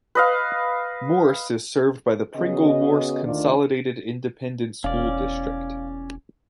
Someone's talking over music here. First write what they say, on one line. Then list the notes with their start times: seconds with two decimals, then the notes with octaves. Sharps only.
Morse is served by the Pringle-Morse Consolidated Independent School District.
0.15 B4 D#5 F5
2.36 C#3 B3 F#4 D#5
3.24 D2 D#3 D4 F4 D5
4.84 E1 C#4 D5 F5